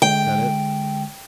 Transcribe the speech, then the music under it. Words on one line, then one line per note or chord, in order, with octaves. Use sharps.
Is that it?
D3 G#3 G5